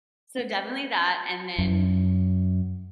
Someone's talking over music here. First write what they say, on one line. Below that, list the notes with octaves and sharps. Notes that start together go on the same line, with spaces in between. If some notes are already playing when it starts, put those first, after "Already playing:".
So, definitely that and then
F#2